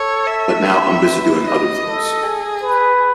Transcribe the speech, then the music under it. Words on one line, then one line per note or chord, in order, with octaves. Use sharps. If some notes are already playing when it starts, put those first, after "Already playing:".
But now I'm busy doing other things.
Already playing: A4 C#5
E5
B4
D#5
A4
G#4
B4